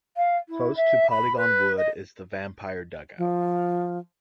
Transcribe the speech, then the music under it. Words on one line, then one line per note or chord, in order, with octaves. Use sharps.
Close to Polygon Wood is the Vampire dugout.
F5
E4
E5
B5
B4
D#5
F3